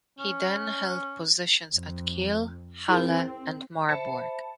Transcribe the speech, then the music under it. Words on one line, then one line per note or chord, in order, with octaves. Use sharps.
He then held positions at Kiel, Halle and Marburg.
C#4
F2
C4 E4 G#4 A#4
C5 E5 A5 B5 C#7